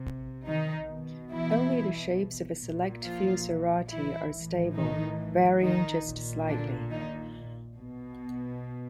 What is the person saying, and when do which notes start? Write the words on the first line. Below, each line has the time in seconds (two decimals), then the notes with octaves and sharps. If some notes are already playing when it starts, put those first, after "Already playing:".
Only the shapes of a select few sarati are stable, varying just slightly.
Already playing: C3
0.45 D#3 D#4
0.88 B2
1.31 E3 E4
2.61 A#2
3.03 F3 F4
3.91 E3 E4
4.33 A2 E3
4.76 D#3 D#4
5.62 D#3 D#4
6.06 A#2
6.48 D3 D4
6.91 D#3 D#4
7.77 B2